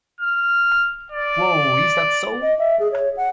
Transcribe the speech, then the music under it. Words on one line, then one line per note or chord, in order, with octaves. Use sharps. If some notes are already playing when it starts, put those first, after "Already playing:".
Wow Is That So?!
F6
D5
D#5
E5
G#4
C#5
F#5